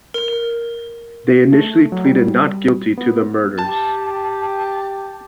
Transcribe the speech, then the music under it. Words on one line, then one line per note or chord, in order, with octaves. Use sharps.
They initially pleaded not guilty to the murders.
A#4
A3
F#3
G3
B3
G4 A5